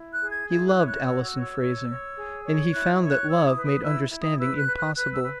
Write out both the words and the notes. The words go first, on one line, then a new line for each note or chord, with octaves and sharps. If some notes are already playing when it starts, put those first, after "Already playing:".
He loved Alison Fraser, and he found that love made understanding impossible.
Already playing: E4
F#6
G#4
G#6
E4 G#6
F#6
C#5
F#6
F#4 E6
E6
C#5
E6
C#5
C#5
G#4
C#5
E4 F#6
C#5
F#6
E4 E6
D#6
B4
D#6
E4 E6
E4
D#6
B4 E6
F#6
B4
F#6
B4 F#6
E6
B4